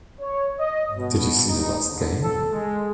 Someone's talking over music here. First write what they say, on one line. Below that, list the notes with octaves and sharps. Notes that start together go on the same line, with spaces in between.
Did you see the last game?
C#5
D#5
B2
D#4
D3
A4
G#3